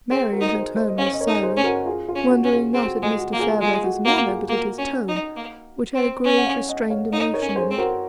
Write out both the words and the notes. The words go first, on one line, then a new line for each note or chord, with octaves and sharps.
Mary in her turn was silent, wondering not at Mr. Farebrother's manner but at his tone, which had a grave restrained emotion in it.
C4 G#4 C5
F#4 A#4
D#4
G#4 C5
C5 D#5
D#5
C#4 C#5 F5
D#5
A#4 C#5
D#4
G#4 C5
C#4
F#4 A#4
F4 G#4
F4
C#4
F#4
C#4
F4 G#4
C4 G#4
F#4
F4
G#3
F#4
A#3
F4 G#4
G#3 F4 G#4
F#4
A#3 F#4
F4 G#4
A#3 F#4 A#4
C#4
D#4
A#3
C4
C#4
F#5
C#5 F5
D#5 F#5
D#5
C#5 F5
D#4 C#5 F5
A#4 C#5
C#4
G#4 C5
C4
F#4 A#4